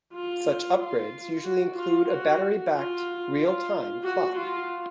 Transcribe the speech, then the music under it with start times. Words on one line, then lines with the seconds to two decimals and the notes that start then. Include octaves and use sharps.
Such upgrades usually include a battery-backed real-time clock.
0.13 F4
0.79 F4
1.44 F#4
1.76 F4
2.09 F#4
2.74 F4
3.39 F4
4.04 F#4
4.36 F4